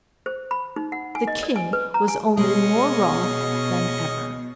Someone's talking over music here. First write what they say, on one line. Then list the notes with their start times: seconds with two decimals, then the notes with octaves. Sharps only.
The King was only more wroth than ever.
0.26 C5
0.51 B5
0.76 D#4
0.92 F#5
1.15 G#5
1.27 D#5
1.43 D5
1.56 G#5
1.73 B4
1.94 A#5
2.08 G#5
2.37 B2 G#3 C#4 D#5